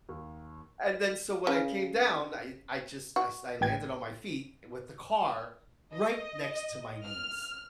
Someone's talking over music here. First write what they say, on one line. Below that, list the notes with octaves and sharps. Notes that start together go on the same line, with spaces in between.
And, then so when I came down, I I just I s I landed on my feet with the car right next to my knees.
D#2
C#3
F#4
A1 G5 G#6
D#5
F6